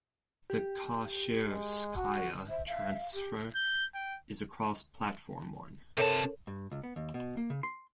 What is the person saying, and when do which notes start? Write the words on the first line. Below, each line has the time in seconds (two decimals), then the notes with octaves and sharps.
The Kashirskaya transfer is a cross-platform one.
0.50 G4
1.48 G#3
1.97 F#4
2.49 C5 E5
2.67 E5 F5
3.14 G4
3.55 G6
3.94 G5
5.98 C3 A4 A#4 C#5 A5
6.47 G2
6.71 C#2
6.84 B3
6.96 D#2
7.14 B2
7.37 A#3
7.50 C#3
7.63 C6